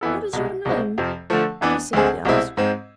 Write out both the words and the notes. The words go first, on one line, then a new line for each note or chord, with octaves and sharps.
"What is your name?" she simply asked.
F2 E3 B3 E4 A4
C2 B2 G#3
C2 B2 G#3 C4
F2 C3 F3
D3 F3 A3
F2 E3 B3 D4
D2 D3 G#3 C4 G#4
C2 B2 G#3 C4 E4
G#2 G#3 C4